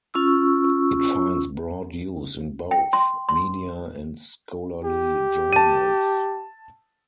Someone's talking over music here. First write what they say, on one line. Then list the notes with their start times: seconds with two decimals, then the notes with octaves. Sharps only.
It finds broad use in both media and scholarly journals.
0.14 C#4 F4 C#6 E6
2.71 G5
2.93 C6
3.29 C6
4.85 G4
5.53 A5 D#7